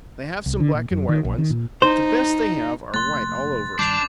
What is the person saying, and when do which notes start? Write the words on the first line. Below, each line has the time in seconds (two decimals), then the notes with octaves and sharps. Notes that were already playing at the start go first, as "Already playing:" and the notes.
They have some black and white ones; but the best they have are white all over.
0.46 C2
0.60 D3
0.74 A#2
0.91 F#2
1.09 D#3
1.25 A#1
1.38 D#3
1.50 A#2
1.82 D#4 C5
2.94 F1 A3 A#3 C6 F#6 A6
3.79 G2 D#3 G3 D4 D6 G6 C7 F7